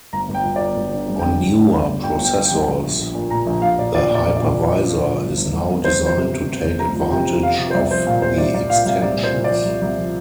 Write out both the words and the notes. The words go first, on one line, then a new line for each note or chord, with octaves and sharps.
On newer processors, the hypervisor is now designed to take advantage of the extensions.
G1 A#5
G1
G5
G1
D5
G1
G1
D3
G2
G5
D3
G1
D3
D3
G1
G1 G5
G1 G5
G1
G5
G2
A#1
A#1
A#1
A#2
A#2 A#5
A#1
A#1 F5
A#2 D5
A#2 D5
A#2
D5
A#1
D5
A#2
F3
F3
F3
A#1
G1
G1
G1
F2
F2 C5
F2
C5
C3
C3
C3
G1
F2 A#5
F3
C3 G5
F2
F3 F5
C3
C5
C2 D5
F3 C5
A#2 F5
C2 C5
C2 D5
C2 D5
A#2 F5
C2 F5
C2 D5
A#2
C5
A#2
D5
F3
C2
C2
F3